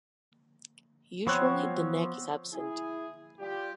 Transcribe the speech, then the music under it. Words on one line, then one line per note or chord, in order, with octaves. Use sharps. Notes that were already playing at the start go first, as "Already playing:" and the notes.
Usually the neck is absent.
F3 B3 C4 C#5 C#6 F#6
E4 G#4
G3 F4 G4